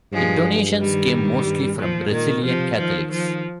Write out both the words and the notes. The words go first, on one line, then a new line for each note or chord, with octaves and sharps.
The donations came mostly from Brazilian Catholics.
G2 F3 G#3
D#3 G3
G2
G2
A#2 F3
A#2 D#3
C3 F3
D#3 F3
F3